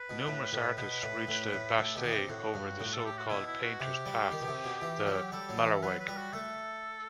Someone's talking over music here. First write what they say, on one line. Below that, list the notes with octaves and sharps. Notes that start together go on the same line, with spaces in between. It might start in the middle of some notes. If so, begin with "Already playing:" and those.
Numerous artists reached the Bastei over the so-called Painter's Path, the "Malerweg".
Already playing: B4
B2
A2
A2
B2 B4
A2
A2
A2
A2 A4
B2 G4
D#3
C3 G4
A2 F#4
G2
A2
A4
G4
F#4
B2 E4
E4
F#4
C3 G4
G3
D#3
B2
C3
B2
E3
F#3
G3 A4
F#3
E3
A4
F#3 B4
B4
G3
F#4
A3 A4